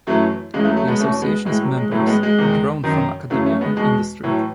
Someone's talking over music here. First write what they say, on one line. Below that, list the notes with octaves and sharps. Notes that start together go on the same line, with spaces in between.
The association's members are drawn from academia and industry.
F#2 E3 F#3 A3
E2 C#3 E3 G#3
F#3 A3
F#3 A3
G#3 B3
E2 B2 A3 C#4
G#3 B3
A2 E3 G#3
F#3
G#3
A2 E3 F#3 A3
G#3 B3
G#3
E2 D#3
F#2 D#3
F#2 C#3 E3 F#3 A3
A3 C#4
G#3 B3
E2 B2 G#3
A2 E3 F#3